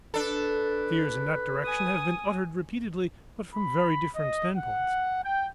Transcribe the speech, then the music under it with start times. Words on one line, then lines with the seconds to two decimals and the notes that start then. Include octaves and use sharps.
Fears in that direction have been uttered repeatedly, but from very different standpoints.
0.14 D4 A4 B4
1.64 G#5 D#6
3.55 B5
4.16 D#5
4.56 F#5
5.24 G5